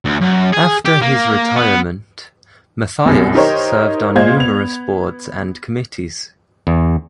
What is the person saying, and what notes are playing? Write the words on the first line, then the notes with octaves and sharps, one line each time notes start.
After his retirement, Mathias served on numerous boards and committees.
D2
F#2
G#4
G4
A#3
B3
C2 F#2 B2
D#4 G4 A#4 C5 C#5 D#5
A#2 G#3 C5 D#5 F5 G#6
B3 F7
E2